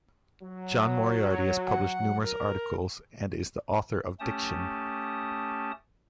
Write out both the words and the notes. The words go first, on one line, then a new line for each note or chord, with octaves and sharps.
John Moriarty has published numerous articles and is the author of "Diction".
F#3
C#5
F#5
A#4
A3 C#4 G4 A5 D#6